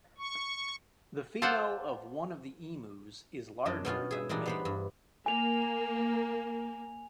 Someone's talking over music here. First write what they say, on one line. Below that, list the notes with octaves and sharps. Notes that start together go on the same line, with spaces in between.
The female of one of the emus is larger than the male.
C#6
F4 A4 C5 D5 F5 F#5
F#2 D4 D#5
B2 B3 C#4 F4
G#4 E5
A#2 E3 G3 D4 D#4
B3 C5 B5
G2
A#3 G#5 F7